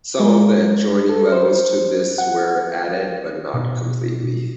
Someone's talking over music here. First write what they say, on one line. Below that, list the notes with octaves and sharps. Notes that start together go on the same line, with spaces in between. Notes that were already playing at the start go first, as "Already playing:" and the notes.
Some of the adjoining levels to this were added, but not completely.
G#3
A4
C5
F#5
B2